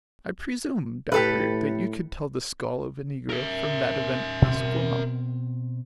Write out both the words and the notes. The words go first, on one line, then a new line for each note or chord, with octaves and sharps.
"I presume, Doctor, that you could tell the skull of a negro from that of an Esquimau?"
A2 G4 A4 B4
A#4 E5
B2 C4